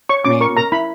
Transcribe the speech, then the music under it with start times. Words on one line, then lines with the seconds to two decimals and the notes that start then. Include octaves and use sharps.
I mean
0.09 C#5 C#6
0.25 C#4 D6
0.41 A#4 C#6
0.57 A#4 A#5
0.72 E4 B5